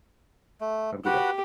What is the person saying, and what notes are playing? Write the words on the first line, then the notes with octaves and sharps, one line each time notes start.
Have a good day.
A3
F#4 G4 B4 F#5